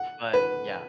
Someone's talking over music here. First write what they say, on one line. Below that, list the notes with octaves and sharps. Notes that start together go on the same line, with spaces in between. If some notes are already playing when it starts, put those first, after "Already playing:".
but yeah.
Already playing: F#5
B4